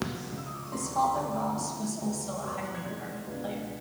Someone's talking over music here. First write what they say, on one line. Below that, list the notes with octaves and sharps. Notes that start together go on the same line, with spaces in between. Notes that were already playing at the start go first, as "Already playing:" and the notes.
His father Ross was also a highly regarded player.
Already playing: C#2 B2 F#3 A#5
C#3 F3 G#3
E6
D#6
D6
C#6
D2 C3 E3 A3 C6
C#6
C#6
B5
G2 D3 G3 A5
A#2 F3 A3 C4 E4
D2 C#3 F#3 B3 A#5
E2 B2 G3 A#5
C6
F#6
G#6
C3 D#3 G#3 G#6
C#2 B2 G#3 B3 D4